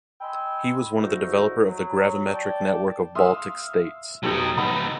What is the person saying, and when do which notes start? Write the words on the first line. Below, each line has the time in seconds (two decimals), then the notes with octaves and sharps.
He was one of the developer of the gravimetric network of Baltic states.
0.21 D#5 G5 G#5 B5 C6 E6
0.98 D2 G#2 D#4 E4 F#4
1.65 F#3
2.33 D5 G5 A5
3.15 E5 F5 C6 D#6 E6
4.23 F1 F#3 B3 D#4 G4 A4 A#5
4.57 C#2 B3 D#4 A#5 E6